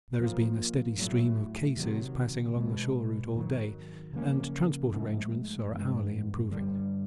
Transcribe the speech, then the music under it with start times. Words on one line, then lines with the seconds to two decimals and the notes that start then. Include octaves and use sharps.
There has been a steady stream of cases passing along the shore route all day and transport arrangements are hourly improving.
0.19 A#2 F3 A#3
0.98 A2 F#3 A3
1.77 C3 D#3 F#3
2.56 B2 G#3 B3
3.35 G#2 D#3 F#3
4.13 C#3 F3 A#3 C#4
4.92 G#2 F3 A3
5.71 G2 E3 G#3 B3
6.51 G2 D3 G3